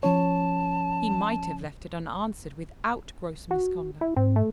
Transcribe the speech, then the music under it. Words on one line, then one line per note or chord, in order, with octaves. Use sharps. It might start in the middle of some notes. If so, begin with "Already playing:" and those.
He might have left it unanswered without gross misconduct.
F3 C#4 C#5 A5
F#4
E4
G#2 C4
A3